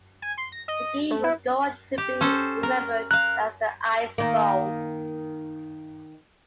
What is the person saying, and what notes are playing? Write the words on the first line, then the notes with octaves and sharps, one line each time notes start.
The game would go on to be remembered as the "Ice Bowl".
G#5
C6
A#6
D#5
A3
E4
G4
C#4 A4 C5
A#4
A#4 F5 F#6
D#3 A#3